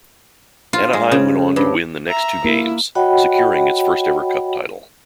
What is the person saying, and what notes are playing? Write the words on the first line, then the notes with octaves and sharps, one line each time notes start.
Anaheim went on to win the next two games, securing its first-ever Cup title.
F4
G#3
C#3
G2
E5 A#5
A#3 E4 A#4
F#4 C#5 D#5 F#5 G5 B5